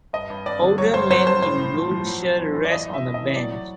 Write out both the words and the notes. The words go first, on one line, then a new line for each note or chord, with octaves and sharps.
Older man in blue shirt rest on a bench.
G2 D#5
G2
G2 D5
D3
F#3 C#5
G2 C5
F#3 C5
G2 C5
A2 C5
A2
F3
F3
F#3
F#3
E2
E2
D5
A2 D#5
A2
E5
A2
D#5
E3
C#5
F#3 D5
F#3